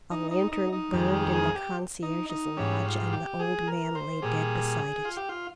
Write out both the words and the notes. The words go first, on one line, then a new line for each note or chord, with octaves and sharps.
A lantern burned in the concierge's lodge and the old man lay dead beside it.
D#4
D#4
D#4
D#4
F2 D#3 G#3 G4
G4
G#4
G4
D#4
D#4
G#2 G3 C#4
F4
G4
G#4
A#4
C5
A#2 G3 G#4
F4
G4
F4